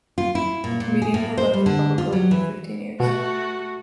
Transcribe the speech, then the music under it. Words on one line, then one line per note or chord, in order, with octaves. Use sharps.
The comedian had left the public life for fifteen years.
F4
E4
A#2
A#2
G#4
A2
C5
G3
D3
F4
F#3
E3
B2 A3 F#4